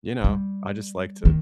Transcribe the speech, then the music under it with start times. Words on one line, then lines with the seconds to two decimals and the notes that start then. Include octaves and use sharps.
you know, I just like to
0.24 G3
1.25 D#3